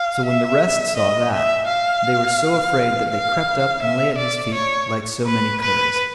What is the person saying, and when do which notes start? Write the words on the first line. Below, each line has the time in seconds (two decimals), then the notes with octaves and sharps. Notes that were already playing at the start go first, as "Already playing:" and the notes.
So when the rest saw that, they were so afraid that they crept up and lay at his feet like so many curs.
Already playing: F5
0.25 E5
0.96 D#5
1.32 E5
1.67 F5
3.10 F5
3.82 E5
4.18 D5
4.54 C#5
5.25 B4
5.61 B4